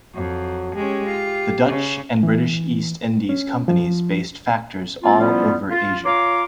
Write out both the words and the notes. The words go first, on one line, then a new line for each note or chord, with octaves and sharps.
The Dutch and British East Indies companies based factors all over Asia.
F2 F#3
G#3 C#4 G4
F4
C#3
E3
C#4
F3
A#3 C4 F4
F3 G3 B3 C#4 E4 F4
F4
F4 C#5 A#5 C6 D6